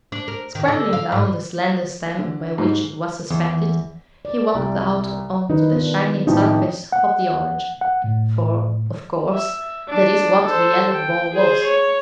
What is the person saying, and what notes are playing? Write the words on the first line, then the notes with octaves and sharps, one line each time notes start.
Scrambling down the slender stem by which it was suspended, he walked out on to the shining surface of the orange; for, of course, that is what the yellow ball was.
D4
A#4
D#3
D3
F5
G#2
D3
G#2
E2
D5
C2
D#3 D#4 B4
B3 D4 F4
A1 F3 C4 D#4 E4
F#5
F#5
A2
E5
D4
A4 C5
G5
G#4 C5
C#5